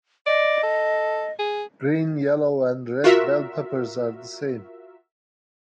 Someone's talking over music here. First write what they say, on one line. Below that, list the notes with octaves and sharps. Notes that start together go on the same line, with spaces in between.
Green, yellow and red bell peppers are the same.
D5 D#5
A4
G#4
F4 F#4 A#4 E5